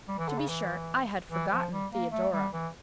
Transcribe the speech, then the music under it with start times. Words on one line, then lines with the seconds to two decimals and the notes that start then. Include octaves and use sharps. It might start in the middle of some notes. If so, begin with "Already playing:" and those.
"To be sure; I had forgotten Theodora."
0.08 G3
0.18 E3
0.29 D3
0.38 C#3
0.49 E3
1.31 E3
1.51 F3
1.72 G3
1.92 A#3
2.12 A3
2.33 G3
2.53 E3